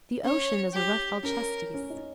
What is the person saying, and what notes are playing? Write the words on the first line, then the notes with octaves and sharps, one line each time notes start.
The ocean is a rough Alcestis.
C#4 C#5
G4
C#4 A#4
C#4
D#4